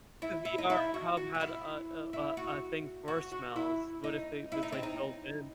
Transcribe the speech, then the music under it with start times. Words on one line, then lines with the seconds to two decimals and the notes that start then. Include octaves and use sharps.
if the VR hub had, uh, uh, uh, a thing for smells? What if it was, like, built in?
0.22 E4
0.45 E4
0.58 D#4
0.70 E4
0.94 F#4
1.17 F#4
1.35 F#4
1.41 E4
2.13 E4
2.37 F#4
3.08 F#4
3.32 F#4
3.56 E4
4.04 D#4
4.52 E4
4.63 D#4
4.72 C4
4.83 D#4